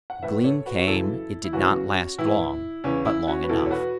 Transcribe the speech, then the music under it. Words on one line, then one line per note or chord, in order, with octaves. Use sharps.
The gleam came; it did not last long, but long enough.
F#5
A2 E3 B4 E5
A4 C#5
F#4 B4
F#4
F#2 C#3 E3 E4 A4
E4
F#2 C#3 E3 C#4 F#4
A2 E3 E4
E2 C#3 E3 C#4
E4
C#4 F#4
B4
E2 B2 E4 A4
C#5
F#4 B4